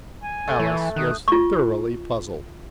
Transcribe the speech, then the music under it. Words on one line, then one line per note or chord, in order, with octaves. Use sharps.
Alice was thoroughly puzzled.
G#5
A3
E3
D#3 D#6 F#6 G6
F4 C#6